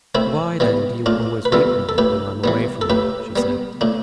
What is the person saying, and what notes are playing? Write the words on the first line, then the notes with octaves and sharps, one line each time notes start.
"Why, then, do you always weep, mother, when I am away from you?" she said.
A2 C4 E4
E3 G3 B3
A2 D4 F4
B4
E3 G3 B3 F4 A4
A4
A2 G4 B4
E3 G3 B3
A4
A2 G4 B4
G3 B3
A2 D4